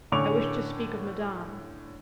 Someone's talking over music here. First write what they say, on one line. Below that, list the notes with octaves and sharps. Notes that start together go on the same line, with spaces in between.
"I wish to speak of Madame."
A2 D3 C#4 C#6 D6 F7